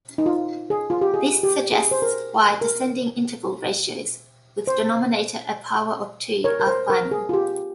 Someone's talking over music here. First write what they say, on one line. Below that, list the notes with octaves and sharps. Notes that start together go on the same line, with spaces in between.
This suggests why descending interval ratios with denominator a power of two are final.
D#4
F4
G#4
F4
G4
G#4
G4
G#4
C5
A#4
A#4
C5
A#4 C#5
A#4
C5
A#4
G#4
F4
G4